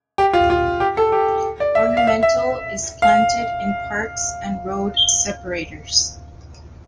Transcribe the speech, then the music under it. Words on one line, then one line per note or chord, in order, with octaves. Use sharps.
Ornamental is planted in parks and road separators.
G4
F4
F4
G4
A4
G4
D5
E5
F5
E5
E5
F5